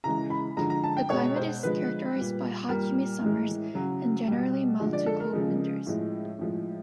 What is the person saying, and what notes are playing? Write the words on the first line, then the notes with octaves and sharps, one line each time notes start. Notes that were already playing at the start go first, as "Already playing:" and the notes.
The climate is characterized by hot, humid summers and generally mild to cool winters.
C#3 E3 G#3 A#5
B5
D3 F3 G#3 A#5
A#5
A5
G5
B2 G#3 C#5
C5
D3 F3 G#3 B4
A#2 G3
A#2 G3 A#4
A2 E3 G#3
C#3 F#3
B2 G3
D3 F3 G#3
D5
A4
A#4
C#3 F3 G#3
A2 F3 G#3
A2 F3 G#3